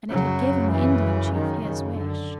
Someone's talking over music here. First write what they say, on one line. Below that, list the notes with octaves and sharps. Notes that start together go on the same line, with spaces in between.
And it had given the Indian chief his wish.
F#2 C#3 F#3
E3
D#3
C#3
D3